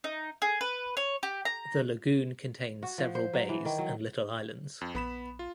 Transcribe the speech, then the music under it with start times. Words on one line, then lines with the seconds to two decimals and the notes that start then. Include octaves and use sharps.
The lagoon contains several bays and little islands.
0.04 D#4
0.42 G#4
0.61 B4
0.97 C#5
1.23 G4
1.45 A#5
2.83 F#4
2.98 F3
3.15 C5
3.33 F#3
3.49 E3
3.65 D#3
3.78 F#3
4.81 F2
4.95 A#1 B3 B5 E7
5.39 F4